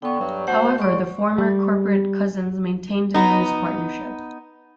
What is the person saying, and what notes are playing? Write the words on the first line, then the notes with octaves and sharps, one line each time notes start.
However, the former corporate cousins maintained a news partnership.
D3 B3 G5 C#6
G2 F#3
A3 C4 F#4 C5 F#5
G#3 D5 C#6
G3
B3 D#4